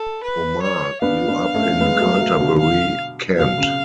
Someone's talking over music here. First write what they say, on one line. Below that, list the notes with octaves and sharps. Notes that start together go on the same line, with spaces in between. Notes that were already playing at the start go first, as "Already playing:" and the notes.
Omar grew up in Canterbury, Kent.
Already playing: A4
B4
C#5
B3 D4 F5
B3 D4
A3 C#4
G#3 B3
F#3 A3
F#3 A3
B2 D3
F5
B2 F5
C#3